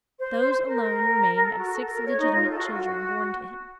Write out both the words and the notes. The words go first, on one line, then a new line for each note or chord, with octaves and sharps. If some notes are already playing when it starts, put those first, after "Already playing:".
Those alone remained of six legitimate children born to him.
C5
A#4
A#4
A4
F#4
A4
A#4
C#5
D#4
F4
A4
F#4
F4
F#4